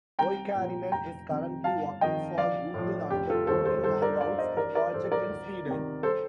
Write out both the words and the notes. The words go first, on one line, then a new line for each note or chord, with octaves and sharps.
Oikarinen is currently working for Google on the Google Hangouts project in Sweden.
C2 G5 A#5
A#2 F3
F1 G5 A#5
F2 C3 D#3
G1 F5 A5
F2 D#3 D#5 G5
A#1 D5 F5
A2 F3
F1 G4
F4 A4
D#2 D#3 A4 C5
A4 C5
G1 A4 C5
A#4 D5
G2 D3 D5 F5
C5 D#5
A1 A#4 D5
A#4 D5
A2 F3 A4 C5
A#4 D5
D2
C3 D#3
A4 C5